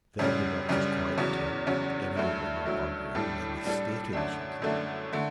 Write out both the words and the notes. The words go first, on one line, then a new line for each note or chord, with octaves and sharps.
Then the doctor's quiet tone, evidently not arguing, merely stating something.
F#2 C#3 G3 C#4
F#2 C#3 G3 C#4
E2 C#3 F#3 C#4
E2 C#3 F#3 C#4
G2 F#3 A3 E4
G2 F#3 A3 E4
A2 G3 D4 A4
A2 G3 D4 A4
F#2 D3 A3 D4
F#2 D3 A3 D4
D3 A3 E4